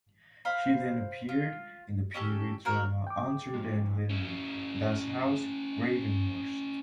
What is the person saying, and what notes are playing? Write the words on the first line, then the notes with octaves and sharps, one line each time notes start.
She then appeared in the period drama "Unter den Linden - Das Haus Gravenhorst".
C5 F5 B5
F4
C#4 G4 A4
F#4 A#4 C#5
G5 D6
G#2 F3 G#3
C#4 E4